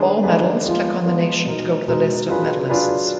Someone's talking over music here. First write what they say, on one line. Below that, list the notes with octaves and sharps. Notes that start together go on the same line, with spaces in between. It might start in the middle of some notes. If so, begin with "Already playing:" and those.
All medals, click on the nation to go to the list of medallists.
Already playing: D#3 G#3 D4 G#4 B4
D#3 G#3 D4 G#4 B4
F3 G#3 B3 F4
F3 G#3 B3 F4
B2 G#3 D#4 A#4
B2 G#3 D#4 A#4
F#3 D4 F4 G#4 B4
F#3 D4 F4 G#4 B4